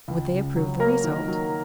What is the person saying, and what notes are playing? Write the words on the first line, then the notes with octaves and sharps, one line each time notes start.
Would they approve the result?
C#2
C#3
F#3
F#3 A#3 A#4
D#3
F#3